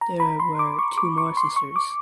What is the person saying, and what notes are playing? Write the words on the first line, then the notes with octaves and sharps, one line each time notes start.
There were two more sisters.
A#5
B5
C6
D6
C#6
D6
C#6
C6
C#6
D6